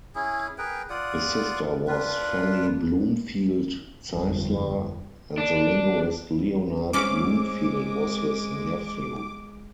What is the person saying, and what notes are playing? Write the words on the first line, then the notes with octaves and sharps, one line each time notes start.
His sister was Fannie Bloomfield Zeisler, and the linguist Leonard Bloomfield was his nephew.
C#4 E4 G#4
G#4 A#4 B4 G5
F4 D5 F#5 D#6
D4 F4 B4
G1 F2
D4
G#3 C4 C#4 B4 D6